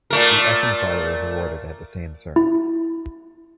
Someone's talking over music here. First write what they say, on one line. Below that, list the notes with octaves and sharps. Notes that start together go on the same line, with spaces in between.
The Essen Feather is awarded at the same ceremony.
A#2 A3 A#4
E4